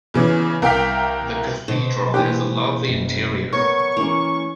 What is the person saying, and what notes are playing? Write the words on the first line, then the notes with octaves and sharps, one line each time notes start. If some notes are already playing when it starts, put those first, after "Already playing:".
The Cathedral has a lovely interior.
E2 C#3 E3
C2 A#4 F5 G5 F6 B6
B2 C5
A#2 E3 G4 F#6
F#1
B3 A#4 C#5 C#6
E3 A#3 C#4 C#6